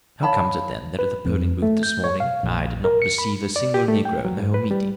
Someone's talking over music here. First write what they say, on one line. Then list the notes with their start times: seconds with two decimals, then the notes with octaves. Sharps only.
"How comes it, then, that at the polling-booth this morning I did not perceive a single negro in the whole meeting?"
0.23 C#5 F5 A5 B5
0.99 B4
1.25 F2
1.62 A3
1.83 G6
2.04 C#5
2.20 F5
2.43 A#1
2.84 A#4
3.02 C#7
3.18 B5
3.56 D5
3.74 G4
3.88 A3
4.05 G5
4.25 F#3
4.38 G#2
4.54 B4
4.71 G3